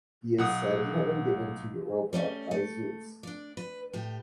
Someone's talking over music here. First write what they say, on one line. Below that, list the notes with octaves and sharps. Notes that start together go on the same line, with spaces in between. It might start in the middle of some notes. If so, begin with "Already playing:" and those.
He is said to have been given to Europa by Zeus.
B1 F#5 D#6
G3 A3 A#3 C#4
A3
D4 D5
B4
A2 G4